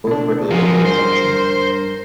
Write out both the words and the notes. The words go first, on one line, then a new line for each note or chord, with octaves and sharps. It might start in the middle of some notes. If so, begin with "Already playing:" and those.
Both were ill with consumption.
B2 D4
F#2 F3 F4 F#4 G#4 A#4
G2 C5